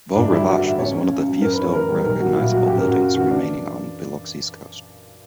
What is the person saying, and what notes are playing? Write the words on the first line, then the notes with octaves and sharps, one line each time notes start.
Beau Rivage was one of the few still recognizable buildings remaining on Biloxi's coast.
G1 D4
G3 E4
G2 F#4
E3 E5
C#2 C#5
C#4
C#3
F#3
F#2 A#4
B4
C#4 C#5
E3 A#4
G3 A#4
B1 A#4
B1 F#4
A#2 E4
F#3 F#4
F#2 G4
A#4
F#2
F#4
C#3
E3 F#4
D4